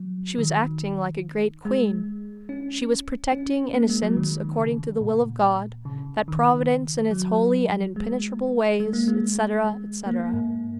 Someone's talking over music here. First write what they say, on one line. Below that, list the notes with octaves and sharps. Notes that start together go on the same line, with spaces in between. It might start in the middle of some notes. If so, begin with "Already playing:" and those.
She was acting like a great queen; she was protecting innocence according to the will of God that Providence in its holy and impenetrable ways, etc., etc.
Already playing: F#3
D#3
G#3
C#4
C#4
A#3
G#3
F#3
D#3
C#3
A#2
C#3
D#3
F#3
G#3
G#3
A#3
G#3
G#3
A#3
A#3
G#2